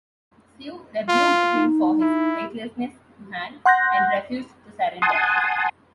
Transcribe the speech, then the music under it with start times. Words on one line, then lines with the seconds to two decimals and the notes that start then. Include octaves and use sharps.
Su rebuked him for his faithlessness to Han and refused to surrender.
1.09 F4
1.54 D#4
2.01 E4
3.66 F#5 C6 F#6 G6 A#6
5.02 F#5 G#5 A5 C6 D#6